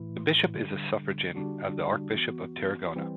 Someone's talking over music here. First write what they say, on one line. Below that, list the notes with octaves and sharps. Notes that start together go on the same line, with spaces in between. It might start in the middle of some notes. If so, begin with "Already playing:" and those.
The bishop is a suffragan of the Archbishop of Tarragona.
Already playing: A2 E3 A3 E4
D3 G3 D4
D3 G3 D4 F#4
E3 B3 F#4
E3 G3 C4